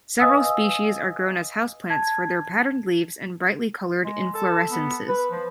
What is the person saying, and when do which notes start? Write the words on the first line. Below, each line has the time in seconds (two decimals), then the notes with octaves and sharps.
Several species are grown as houseplants for their patterned leaves and brightly coloured inflorescences.
0.20 B4 D#5 F5 G#5 D#6 E6
1.90 A5 G#6
4.04 G#3
4.34 A4
4.70 B3
5.09 B4
5.32 F3